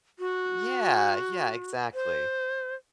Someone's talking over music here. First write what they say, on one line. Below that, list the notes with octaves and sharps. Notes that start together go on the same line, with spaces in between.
Yeah yeah, exactly,
F#4
C5